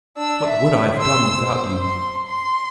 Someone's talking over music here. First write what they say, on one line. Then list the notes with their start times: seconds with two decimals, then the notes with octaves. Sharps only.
'What would I have done without you?'
0.17 D4 E6
0.47 E5
0.96 C6 E6
1.37 C5
1.82 C6
2.27 C6